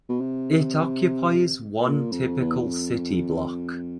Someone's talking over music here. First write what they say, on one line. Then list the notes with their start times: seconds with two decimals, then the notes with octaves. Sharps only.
It occupies one typical city block.
0.09 B2
0.20 C3
1.85 A#2
2.12 F2
2.40 E2
2.66 F2